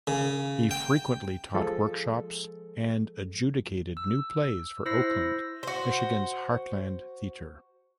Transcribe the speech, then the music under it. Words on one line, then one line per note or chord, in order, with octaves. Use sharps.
He frequently taught workshops and adjudicated new plays for Oakland, Michigan's Heartlande Theatre.
C#3
G5
F3 G#3 G#4 A4
E6
E4 C5 E6 A#6 C7
F#4 C5